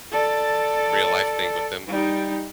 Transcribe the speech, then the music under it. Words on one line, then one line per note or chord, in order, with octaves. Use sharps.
real life thing with them.
A4 D5
G3 D#4